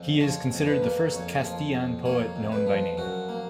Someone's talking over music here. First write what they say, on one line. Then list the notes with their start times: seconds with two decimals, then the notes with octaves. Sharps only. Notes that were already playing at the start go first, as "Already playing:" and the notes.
He is considered the first Castilian poet known by name.
Already playing: F2
0.20 F3 C#5
0.51 F2
0.66 B4
0.82 A#3
1.13 F2 C#5
1.44 F3
1.75 F2
2.05 A#3 C#5
2.36 F2
2.52 B4
2.67 F3
2.98 F#2 F#4
3.29 A#3